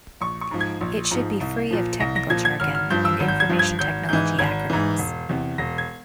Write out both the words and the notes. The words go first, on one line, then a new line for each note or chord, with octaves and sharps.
It should be free of technical jargon and information technology acronyms.
A#1 C#6
C#6
G#2 F3
G#6
A#1
G#2 F3
C2
A#2 F3
C2 A#6
A#6
A#2 F3 G#6
G#6
G#1 F6
F6
G2 F3 G6
E6
G#1
G6
G#6
G2 F3
G#6
G#1 G6
G#2 E3 G6
G#1 G#6
G#2 E3
E1
E2 C3
E1 A#6
G#6